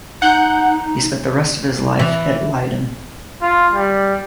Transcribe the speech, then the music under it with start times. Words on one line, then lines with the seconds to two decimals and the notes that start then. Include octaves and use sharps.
He spent the rest of his life at Leiden.
0.22 D#4 F#5 G6
1.99 E3
3.42 F4
3.73 G3